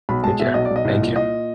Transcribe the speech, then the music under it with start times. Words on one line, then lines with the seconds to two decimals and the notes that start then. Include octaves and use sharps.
Take care, thank you.
0.09 B1 B5
0.23 G#3 A5
0.40 B2 E5
0.54 B1 D#5
0.65 D5
0.71 B1
0.76 D#5
0.85 C2
1.01 A#2
1.16 A#2 D#5